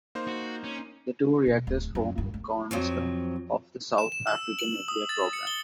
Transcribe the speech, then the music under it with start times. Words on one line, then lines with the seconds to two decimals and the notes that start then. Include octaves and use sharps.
The two reactors form the cornerstone of the South African nuclear program.
0.15 A#3 D#4 C5
0.27 F#4
0.64 C#4
1.46 B2
1.67 D1
1.95 F#2
2.18 G2 D#3
2.34 A#3
2.71 F2 F3 F#3
3.98 E7
4.12 E7
4.27 E6
4.59 F#7
4.88 D#6
5.09 A6
5.33 C#7
5.47 G7